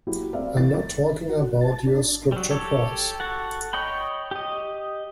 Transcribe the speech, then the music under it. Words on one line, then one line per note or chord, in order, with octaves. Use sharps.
I'm not talking about your Scripture prize.
F#3 A#3 E4 F#4 G4
A3 C4 D5 E5 F5
E2 A6
A6
F#4
A5
D4
F#3 G3
G4 A4 C#5
F#4 A4 F#5
C#5 D#5 G5 B5
G4 D#5